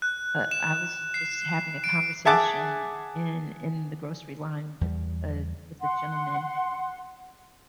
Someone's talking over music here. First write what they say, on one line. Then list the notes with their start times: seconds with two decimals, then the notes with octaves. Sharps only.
uh, I was just having a conversation in in the grocery line with, uh, with a gentleman,
0.02 F#6
0.51 E7
1.14 C7
1.84 D7
2.25 G#4 E5 F#5 A5 D6
4.81 E2 G3
5.81 F#5 C6